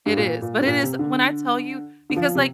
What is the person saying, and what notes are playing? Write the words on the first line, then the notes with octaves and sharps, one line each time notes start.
it is. But it is when I tell you because, like,
G2
A#2
A#2
G2
A#2
C3
D3
D3
F3
C3